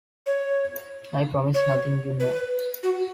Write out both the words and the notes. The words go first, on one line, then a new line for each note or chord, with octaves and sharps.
I promise nothing, you know.
C#5
C#5
B4
F#4